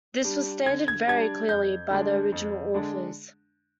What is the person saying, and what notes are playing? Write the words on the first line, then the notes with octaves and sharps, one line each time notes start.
This was stated very clearly by the original authors.
G3 D4
D3 G#6
G#6
G3 D4 G#6
F2 G6
D3 G#3 D4
F2
D3 G#3 D4